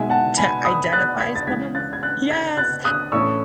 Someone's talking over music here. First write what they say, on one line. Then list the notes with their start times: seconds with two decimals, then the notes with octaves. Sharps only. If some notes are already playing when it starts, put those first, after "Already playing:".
to identify some of 'em. Yes,
Already playing: B2 G#3 D#4 E5 G#5
0.10 F#5 A5
0.37 G#5 B5
0.65 B5 D#6
0.84 B6
0.93 F#6 A6
1.20 G#6 B6
1.36 A6
1.47 C#3 E3 G#3 G#6 B6
1.75 F#6 A6
1.93 G#6
2.03 F#6 A6
2.30 G#6 B6
2.57 F#6 A6
2.84 D#6 F#6
3.12 A2 E3 A3 C#4 C#6 E6